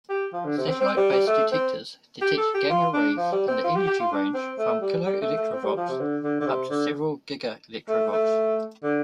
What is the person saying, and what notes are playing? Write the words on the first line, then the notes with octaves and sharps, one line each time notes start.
Satellite-based detectors detect gamma-rays in the energy range from keV up to several GeV.
G4
F3
D3
C3
C4
C4
G3
G3
A3
C4
G4
A4
G4
F4
D4
F3
G3
C4
F4
G4
G4
F4
D4
C4
A3
G3
G3
A3
A3
C4
G3
F3
C3
D3
D3
D3
C3
D3
A3
A3
D3